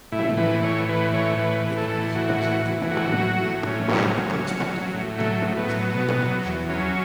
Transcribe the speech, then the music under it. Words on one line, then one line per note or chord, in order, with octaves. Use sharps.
It has presented the public library with books pertaining to birds and their protection.
A2 E4
E3 B4
A2 C#5
E3 B4
A2 C#5
E3 B4
A2
A4
E3
A2 F#4
E3
E3
A2 F#4
F#3
A2
A2 C#4
F#3
F#3
F#3
F#3
A2
F#3 A3
A2
B3
F#3
B2
F#3
E2
F#3 C#4